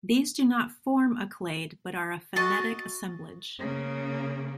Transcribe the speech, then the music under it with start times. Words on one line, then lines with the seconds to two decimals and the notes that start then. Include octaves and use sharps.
These do not form a clade but are a phenetic assemblage.
2.36 F#4 A4 D#5 A5
3.59 C#3 A#3